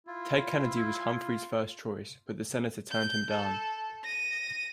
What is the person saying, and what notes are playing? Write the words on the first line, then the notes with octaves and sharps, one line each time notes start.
Ted Kennedy was Humphrey's first choice, but the senator turned him down.
E4 F4
G6
A4
A#6 D#7